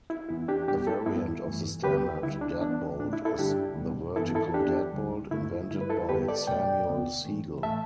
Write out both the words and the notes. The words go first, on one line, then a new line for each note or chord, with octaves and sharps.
A variant of the standard deadbolt is the vertical deadbolt, invented by Samuel Segal.
E4
E2 E3 B3 E4
D4 G4
A2 G3 B3 D4 G4
E4 A4
G2 G3 B3 E4
G2 E3 A3
D2 D3 B3 G4 B4
D2 D3 G3 E4
D4
E2 E3 B3 D4
A2 A3 D4
E4
E4 A4
G2 D3 G3 D4 G4
B2 G3 B3
G2 E3 B3 E4 A4
E4 A4
E2 E3 B3 D4 G4
D2 D3 G3
G2 D3 A3 E4
G2 D3 G3 E4
B4
E4 A4
G2 D3 G3 B3 G4 B4
A4 D5
E2 B2 A3 D5 G5
D2 D3 B3
A2 E3 A3
A2 E3 A3 E5 A5